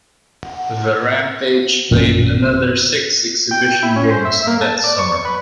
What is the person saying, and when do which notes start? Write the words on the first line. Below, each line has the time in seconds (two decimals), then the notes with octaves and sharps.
The Rampage played another six exhibition games that summer.
1.91 A1 F#2 A#2 D#3
3.51 G5
3.83 E4
3.96 C#4
4.11 C5
4.25 E5
4.47 A#3
4.61 A5
4.84 D5
4.99 C#6
5.25 B4